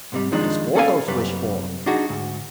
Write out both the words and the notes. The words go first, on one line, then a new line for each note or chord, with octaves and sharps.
"What does Porthos wish for?"
G#2 C3 G3
D#3 F3 G#3 D4 D#4
C#4 A4 D5 F5 G#5
C2 F#2 G3 B4
D4 D#4 F#4 G#4
D2 G#2